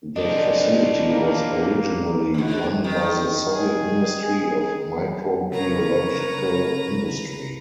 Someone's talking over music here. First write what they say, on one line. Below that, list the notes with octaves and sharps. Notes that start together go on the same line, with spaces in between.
The facility was originally run by the Soviet Ministry of Microbiological Industry.
F3 D4 D#5
A#3
E2 G#2
D#3
G#4
C#3 A#4 B4 C#5 A#5